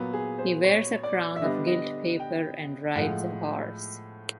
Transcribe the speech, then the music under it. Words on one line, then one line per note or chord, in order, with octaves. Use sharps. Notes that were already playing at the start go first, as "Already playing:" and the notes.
He wears a crown of gilt paper and rides a horse.
Already playing: A#2 F#3 B3
G#4
C5
C#5
D5
E5
D3 G3 B3 D4 D#5
D#5
G5
A2 F3 G#3 F#5